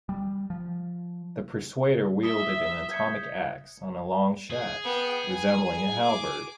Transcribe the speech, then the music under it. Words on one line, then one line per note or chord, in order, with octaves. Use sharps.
The Persuader wielded an "atomic axe" on a long shaft, resembling a halberd.
G3
F3
E5 D#6 B6 G7
G6 G#6 C#7
G#4
B3 G5
G#5
D6